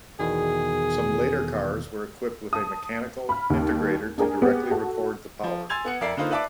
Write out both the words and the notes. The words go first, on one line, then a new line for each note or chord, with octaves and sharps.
Some later cars were equipped with a mechanical integrator to directly record the power.
E2 B2 D#3 G#4
A5 D#6
B5 F6
D#2
D4 G#4 A#4 G#5
B3 G4 G#4
F#4 A4
F3
G#5 C6 E6 G#6 A6 F7
B3 F#5 C#7
F2 A#4 D5 E5 C7
D3 A#3 D#4 F4 B4 C5
B4 D5 E5 A5 D6